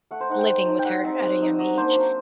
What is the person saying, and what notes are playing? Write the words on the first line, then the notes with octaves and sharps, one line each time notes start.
living with her at a young age,
A3 F#5
C5
D#4 F#5
G5
A3
D#4
G5
G3 F#5
C4 D#4
G3
C4 D#4
F#3 D#5
A#3 D4 C5
F#3